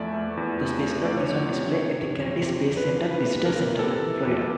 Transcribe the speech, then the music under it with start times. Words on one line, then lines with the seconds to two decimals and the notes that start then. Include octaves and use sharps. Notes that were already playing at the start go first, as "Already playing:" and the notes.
The spacecraft is on display at the Kennedy Space Center Visitor Center, Florida.
Already playing: E2 F3 A3 D5 E5
0.14 A3
0.37 E2
0.60 C3
0.83 A3
1.05 A3 D5
1.17 C#5
1.28 F3 D5
1.51 C3
1.74 C3 C#5
1.97 C3
2.20 F2
2.42 C3 C5
2.65 F2
2.77 B4
2.88 E3
3.10 E3 B4
3.34 C3
3.45 A#4
3.57 F2
3.79 C3 A4
4.02 E3
4.25 F2